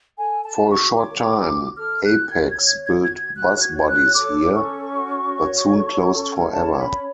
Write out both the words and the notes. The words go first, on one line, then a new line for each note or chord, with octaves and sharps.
For a short time, Apex built bus bodies here, but soon closed forever.
A4 G#5
A5
F#4
C#6
C#5 D6
F#4
A4 F6
F#6
F#4
G#6
G#6
C#5
G#6
G#6
F#4
G#6
F#4 F#6
F#6
G#6
C#5
F#6
A4 D6
C#4 C#6
F#4
C#5
A4
C#4
C#5 A5
B5
C#5